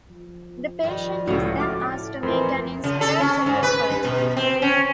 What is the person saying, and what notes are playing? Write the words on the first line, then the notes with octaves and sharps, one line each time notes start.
The patient is then asked to make an inspiratory effort.
F3
D#3 G3
C#2 A2 F#4 A4
A2 D6 F6 A6
F2 A2 E3 A#4 C5
C#3
A4
C#4
G#2
B4
G2
B2
C4
C#4